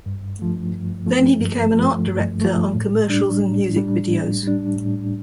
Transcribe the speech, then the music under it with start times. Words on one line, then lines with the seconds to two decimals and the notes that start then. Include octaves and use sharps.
Then he became an art director on commercials and music videos.
0.06 G2
0.39 F3 A3
0.72 G2
1.06 F3 A3
1.41 G2
1.74 F3 A3
2.07 G2
2.41 F3 A3
2.75 A2
3.09 G3 D4
3.42 A2
3.76 G3 D4
4.09 A2
4.43 G3 D4
4.76 A2